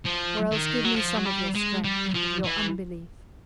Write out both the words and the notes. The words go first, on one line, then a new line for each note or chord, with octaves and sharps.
Or else give me some of your strength--of your unbelief. . . .
F3
D#3
F#3
F3
F#3
G3
G#3
G3
F3
E3